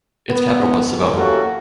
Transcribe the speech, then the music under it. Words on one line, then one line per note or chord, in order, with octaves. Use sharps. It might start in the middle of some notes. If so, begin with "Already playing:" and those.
Its capital was Savona.
B3
A#3 C#4 E4 F#4 G4 A4